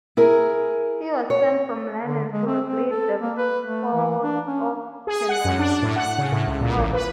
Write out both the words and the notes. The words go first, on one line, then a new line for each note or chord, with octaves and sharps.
He was sent from London to rebuild the Fort at Penobscot.
E4 G#4 A#4
C#5
D3
G#3
C4
C4
A4
A#3
B4
A3
E3
D4
C#4
G#4
F#5
F#2
D4
A2
F#5
C#3
A2
C#2
A#2
A1
B4